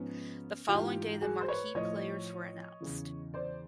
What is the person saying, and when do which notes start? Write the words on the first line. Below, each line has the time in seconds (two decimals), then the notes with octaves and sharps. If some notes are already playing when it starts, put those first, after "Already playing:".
The following day the marquee players were announced.
Already playing: G#2 F3 B3 C#4
0.68 G#2 E3 F4 G4
1.22 F#4 G#4
1.41 C5
1.48 B4 C#5
1.75 A2 F3 C#5 D#5
2.80 E2 C#3 E3
3.34 C5 D5